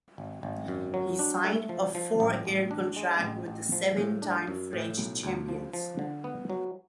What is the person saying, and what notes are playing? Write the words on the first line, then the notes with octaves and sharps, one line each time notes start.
He signed a four-year contract with the seven time French champions.
G#1
G#1
F#2
F#3
D4
A3
F3
F3
A1
A1
D4
G#3
A1
A1
F3
A2
D4
F#2
A2
B1
D2
F3
F3
D3
B3
F#3